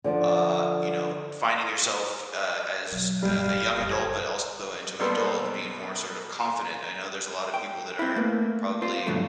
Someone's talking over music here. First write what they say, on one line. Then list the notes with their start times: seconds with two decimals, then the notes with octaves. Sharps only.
uh, you know, finding yourself, uh, as a a young adult, but also into adult and being more sort of confident. I know there's a lotta people that are probably,
0.04 D3 F3 D4
2.92 B2 F#3
3.22 D1 G1 G3 F5
3.45 G4
3.77 F#1 A#2 D#5
3.90 C5 G#5
4.99 B2 G3 A#3 B3 A4 C6
7.54 G5
7.99 C4 E4
8.16 A3 A#3 B4
8.82 C4 F4 C5
9.06 G2 B2 D3 F3 F#3 A3